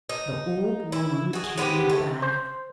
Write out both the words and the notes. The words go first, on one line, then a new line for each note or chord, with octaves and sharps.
The old woman came back.
D#4
E4
F#4 G#4
G#3 B3 C4 G4
A3
C5